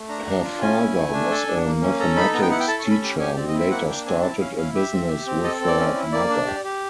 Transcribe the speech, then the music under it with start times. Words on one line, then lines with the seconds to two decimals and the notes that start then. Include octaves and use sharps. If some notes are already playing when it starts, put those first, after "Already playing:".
Her father was a mathematics teacher who later started a business with her mother.
Already playing: A3
0.09 D4 A#5
0.26 D4
0.44 F4
0.61 C#4 G#5
0.78 E4
0.96 A3
1.13 D4
1.30 A4
1.47 D4
1.64 A#3
1.81 C#4
1.99 A4 A#5
2.16 D#4 B5
2.33 B3 A#5
2.42 G5
2.50 E4 F#5
2.60 G5
2.68 A4 A5
2.79 C#6
2.85 C#4
2.91 B5
3.02 G4 B5
3.19 G4 G#5
3.36 C4 D5
3.48 D#5
3.53 E4
3.60 E5
3.71 A#3 F#5
3.88 D4 G5
4.06 C4 G#5
4.23 E4 A5
4.40 C#4 F5
4.57 E4 F5
4.75 G4 E5
4.92 C4
5.09 G4
5.26 C4
5.43 A4 D#5
5.60 C4
5.67 D5
5.78 C#4
5.95 E4
6.12 A#3 D5
6.29 D4
6.47 G4
6.64 G4